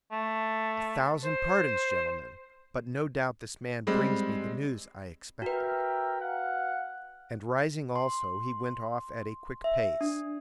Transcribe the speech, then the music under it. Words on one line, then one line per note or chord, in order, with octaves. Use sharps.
"A thousand pardons, gentlemen; but no doubt this man brings me the news I expected." And rising also, he went off at a quick pace.
A3
C5
G3 G#3 C4
F#4 A#4 B4 E5 G5
F5 F#5
C6
E5
D4